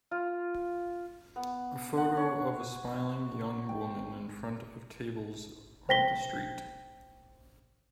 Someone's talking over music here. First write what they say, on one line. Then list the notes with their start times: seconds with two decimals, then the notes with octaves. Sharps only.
A photo of a smiling young woman in front of tables on the street.
0.11 F4
1.36 B3
1.97 F#5
2.17 C#5
3.69 G5
5.89 C5 G5 A#6 B6 G7